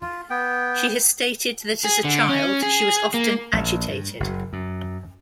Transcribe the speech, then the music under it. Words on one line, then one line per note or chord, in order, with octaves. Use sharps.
She has stated that, as a child, she was often "agitated".
F4
B3 G5
G#4
D3
C#4
G#4
A#3
A#1
G2
F#1
F#2